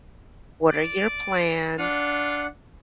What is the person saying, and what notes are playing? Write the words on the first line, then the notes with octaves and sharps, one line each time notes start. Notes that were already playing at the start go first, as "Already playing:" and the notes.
What are your plans?
D5
D4 F4 F#5